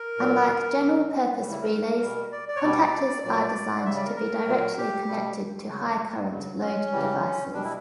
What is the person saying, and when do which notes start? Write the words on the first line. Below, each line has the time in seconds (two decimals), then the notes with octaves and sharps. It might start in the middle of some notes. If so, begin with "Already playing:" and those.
Unlike general-purpose relays, contactors are designed to be directly connected to high-current load devices.
Already playing: A#4
0.18 A#2 F#3
0.79 B2 F#3
1.40 C#3 E3 G3
1.51 E4
1.62 A#4
2.02 B2 G3
2.32 D5
2.48 D5
2.56 C#5
2.63 B2 G3 D5
3.24 A#2 F#3 D5
3.86 C#3 G3 E5
3.96 D5
4.06 A#4
4.16 A#4
4.47 A#2 F#3
4.78 G4
5.08 B2 G3
5.69 C#3 F#3
6.30 C#3 F#3
6.61 C#4
6.92 C#3 E3 G3
7.53 B2 G3 D4
7.64 E4